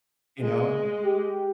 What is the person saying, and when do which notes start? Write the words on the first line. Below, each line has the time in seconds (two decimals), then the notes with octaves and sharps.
you know?
0.39 G#3
1.03 G4